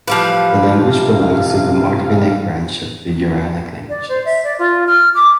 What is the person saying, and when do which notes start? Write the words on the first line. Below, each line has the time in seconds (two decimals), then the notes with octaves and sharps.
The language belongs to the Mordvinic branch of the Uralic languages.
0.08 A2 E3 F3 G3 B4 F5
0.80 C3
3.89 D5
4.08 C5
4.25 E5
4.43 D5
4.58 F4
4.86 F6
5.14 D6